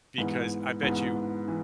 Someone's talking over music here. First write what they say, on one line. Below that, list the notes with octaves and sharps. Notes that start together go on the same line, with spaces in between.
Because, I bet you,
G#2 E3 B3
G#2 E3 B3
E3